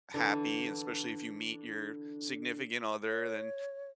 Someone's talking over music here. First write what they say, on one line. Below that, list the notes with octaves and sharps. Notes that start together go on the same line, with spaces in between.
happy, especially if you meet your significant other, then
D3 E3 D4
C#5